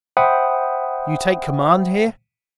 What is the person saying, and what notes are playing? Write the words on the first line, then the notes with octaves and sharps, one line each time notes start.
"You take command here?"
C5 E5 F#5 G5 B5 D#6